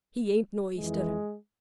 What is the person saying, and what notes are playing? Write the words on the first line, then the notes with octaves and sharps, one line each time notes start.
He ain't no oyster.
F2 E3 G#3